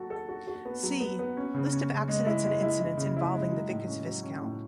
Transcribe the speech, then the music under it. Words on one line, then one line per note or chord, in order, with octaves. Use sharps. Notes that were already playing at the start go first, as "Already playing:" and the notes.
See "List of accidents and incidents involving the Vickers Viscount".
Already playing: F#3 F#4 A4
A4
F#4
F#4
B3
F#3
B3
B3
C#4
C#3
C#4
C#3
G#3
E4
G#3
E4
E4
C#3
E4
G#3
F#3
A2
C#4
F#3
C#4
A2